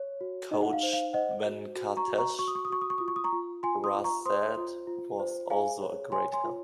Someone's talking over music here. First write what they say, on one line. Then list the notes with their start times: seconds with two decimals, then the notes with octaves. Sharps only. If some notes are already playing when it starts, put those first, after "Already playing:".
Coach Venkatesh Prasad was also a great help.
Already playing: C#5
0.21 F#4
0.51 D#4 D#5
0.62 F#5
0.73 F5
0.83 C5
0.93 F5
1.13 C5 D#5 F#5
1.45 F#4
1.76 F#4
1.97 A#5 C#6
2.08 F#4
2.18 A#5 C#6
2.39 F#4 C#6
2.48 D#6
2.55 C#6
2.65 D#6
2.70 F#4 C#6
2.81 D#6
2.90 C#6
2.98 F4 D#6
3.08 C#6
3.16 D#6
3.24 A#5 C#6
3.33 F4
3.63 F4 G#5 C6
3.84 C6 D#6
3.94 F4
4.04 A#5 C#6
4.25 C5 C6 D#6
4.57 F4
4.87 F4
5.19 C5
5.50 G#4 F5 G#5
5.82 C#5
6.12 C#5 G#5 C6
6.33 G#5 C6
6.44 F4